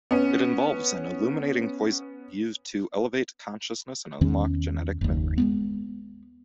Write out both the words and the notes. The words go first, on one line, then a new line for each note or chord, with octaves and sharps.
It involves an "illuminating poison" used to elevate consciousness and unlock genetic memory.
B3 C#4
E2 D#3 C#4
F#1 D#2
G#3 A3 B3